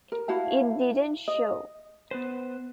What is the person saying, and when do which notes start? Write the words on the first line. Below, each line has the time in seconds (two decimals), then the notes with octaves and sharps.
It didn't show.
0.12 A#4
0.28 E4 F#4 F5 A5
1.28 D#5
2.11 B3 B4 C5